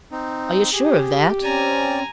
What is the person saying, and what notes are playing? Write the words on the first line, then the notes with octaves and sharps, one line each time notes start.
"Are you sure of that?"
C4 D#4
G4 G#4
C4 C#4 D5 G#5 A#5